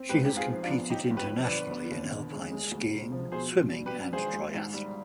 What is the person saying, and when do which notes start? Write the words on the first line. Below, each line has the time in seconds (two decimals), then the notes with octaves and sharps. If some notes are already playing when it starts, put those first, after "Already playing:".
She has competed internationally in alpine skiing, swimming and triathlon.
Already playing: C4
0.09 G#2 G4 B4
0.25 G#2 G4
0.37 F4 G#4
0.50 F3
0.63 D4 F4
0.71 B3
0.90 G1 D#4 G4
1.10 G1
1.17 G4 B4
1.31 F2
1.44 B4 D5
1.51 D3
1.72 B3
1.91 D#2
2.11 D3
2.32 G#3
2.51 G#3
2.72 D2
2.92 C3
3.12 F3
3.32 B2 G#4 C5
3.52 B2
3.72 G3
3.86 G4 B4
3.92 D4
4.13 G#1 G#4 C5
4.33 G#1
4.54 G#2
4.74 G3